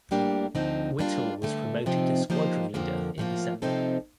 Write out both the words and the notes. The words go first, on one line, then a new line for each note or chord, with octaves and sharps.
Whittle was promoted to Squadron Leader in December.
A2 G3 A#3 D4 G4
D2 D3 F3 C4 D#4
G3 A#3 D4 F4
G2 D3 A3
C3 F3 C4 D#4
F3 A#3 D#4 G4 C5
F2 D3 F3 A#3
A2 F3 A#3 F4
C3 F3 C4 D#4 A4